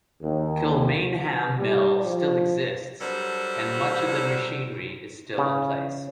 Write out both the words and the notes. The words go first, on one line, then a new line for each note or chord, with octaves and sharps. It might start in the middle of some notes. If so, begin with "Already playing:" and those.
Kilmainham mill still exists and much of the machinery is still in place.
D#2
G3
F3
F#3 G3 D4 A4 A#4 C5
C#3